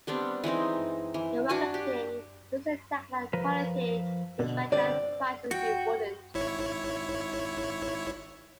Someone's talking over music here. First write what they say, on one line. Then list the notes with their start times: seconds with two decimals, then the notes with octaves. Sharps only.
The marketing uses the tagline "quality you'd expect at prices you wouldn't".
0.07 G3 B3 C4 D4
0.44 E3 G#3 C4 D#4
1.14 E3
1.49 D4 F#4 G#5
1.74 G4
3.33 F3 A#4 B4
4.39 B2 D3
4.72 D3 C4 D5
5.51 F#4 G5
6.34 G#1 E4 C#5